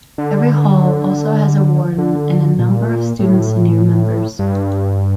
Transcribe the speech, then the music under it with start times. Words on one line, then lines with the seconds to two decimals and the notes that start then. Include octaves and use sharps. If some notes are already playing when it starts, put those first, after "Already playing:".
Every hall also has a Warden and a number of student Senior Members.
0.18 D3
1.98 D3
2.59 A#2
3.19 A2
4.39 G2